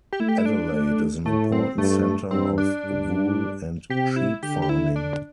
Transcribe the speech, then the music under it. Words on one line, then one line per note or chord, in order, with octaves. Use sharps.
Adelaide is an important centre of wool and sheep farming.
G4
A3 E4
G4
E4
D4
A3
A2 A3
C4
G2 A3
G2 C4
D4
G2
C3 G4
E4
D3 G4
G4
E4
D4